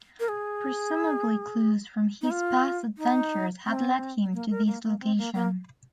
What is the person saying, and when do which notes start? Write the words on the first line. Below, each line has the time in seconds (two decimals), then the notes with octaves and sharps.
Presumably clues from his past adventures had led him to this location.
0.20 A#4
0.29 G#4
2.22 D#4
2.31 F4
2.98 D#4
3.65 C4
4.33 A#3
4.50 A#4
4.67 A#3
4.84 A#3
5.00 C4
5.18 A#3
5.34 A#3